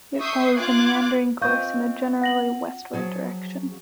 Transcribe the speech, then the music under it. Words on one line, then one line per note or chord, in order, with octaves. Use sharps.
It follows a meandering course in a generally westward direction.
E5 C#6 D#6 G6 C7
F4 D6 F#6 G#6
C4 F4 D#5 F5 C#6 G6
F#5 A#6 F#7
F3 F#3 G#4